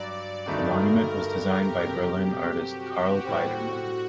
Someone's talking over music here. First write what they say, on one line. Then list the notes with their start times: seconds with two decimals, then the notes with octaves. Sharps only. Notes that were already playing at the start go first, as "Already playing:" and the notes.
The monument was designed by Berlin artist Karl Biedermann.
Already playing: G2 F#3 D5
0.46 G2 D3 A3 D#4 F#4 A#4
1.17 G4
1.85 C3 F#3 A3 C4
2.56 F#4
2.90 G4
3.25 A2 G3 C4 F#4